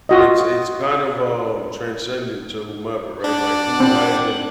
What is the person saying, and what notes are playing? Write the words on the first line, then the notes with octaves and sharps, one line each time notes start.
it's it's kind of, um, transcendent to whomever, right? Like, who hasn't
F4 F#4 D#5
D4 D5 F#5
C4